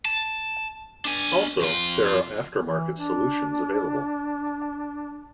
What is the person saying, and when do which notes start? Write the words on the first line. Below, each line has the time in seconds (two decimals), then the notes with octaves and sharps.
Also, there are aftermarket solutions available.
0.05 A5
1.05 D4 G#5
1.61 F2 F4
2.62 E3
2.97 D4